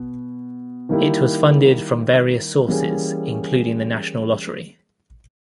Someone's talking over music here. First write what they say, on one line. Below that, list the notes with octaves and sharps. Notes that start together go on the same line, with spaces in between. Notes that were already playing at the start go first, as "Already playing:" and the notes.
It was funded from various sources including the National Lottery.
Already playing: B2 B3
D#3 G3 A#3 E4 G4
E3 G3 A#3 C#4 G#4